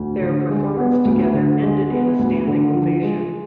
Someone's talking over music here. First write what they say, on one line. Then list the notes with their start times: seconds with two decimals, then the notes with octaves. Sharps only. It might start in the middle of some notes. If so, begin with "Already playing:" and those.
Their performance together ended in a standing ovation.
Already playing: D2
0.21 D3
0.50 G#3
0.77 B3
1.05 D2
1.34 D3
1.62 G#3
1.90 B3
2.19 D2
2.47 D3
2.74 F3
3.03 G#3